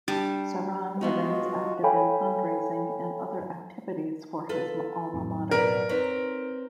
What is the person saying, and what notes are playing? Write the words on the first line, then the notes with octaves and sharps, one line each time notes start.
Sarhan remains active in fundraising and other activities for his alma mater.
G3 D4 A5
G#3 B3 D#4 F4 F#4 D#5
A4 C#5 F5 G5 G#5 B5
F4 A4 B4
F2 A2 F#3
B2 B3 A#4 D5
C4 D#4 B4 C#5 A#5